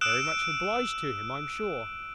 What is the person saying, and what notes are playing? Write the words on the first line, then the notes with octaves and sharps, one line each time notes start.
'Very much obliged to him, I'm sure.
D#6 E6 F#6 D7 E7